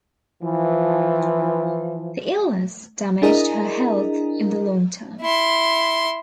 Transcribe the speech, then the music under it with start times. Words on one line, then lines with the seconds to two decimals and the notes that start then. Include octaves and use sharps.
The illness damaged her health in the long term.
0.43 E3 F3
3.22 D4 E4 G#4 A#4 D#5 A#5
5.21 E4 C6